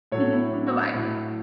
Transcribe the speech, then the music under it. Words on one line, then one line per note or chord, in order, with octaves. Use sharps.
Mhm. Bye-bye.
A2 F#3 A4 C#5
E4
D4
F#4
E4
A2 F#3 E4